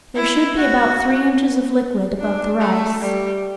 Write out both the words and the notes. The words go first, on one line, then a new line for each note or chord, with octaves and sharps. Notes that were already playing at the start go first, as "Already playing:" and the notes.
There should be about three inches of liquid above the rice.
E4
F#4
D4
A3
G3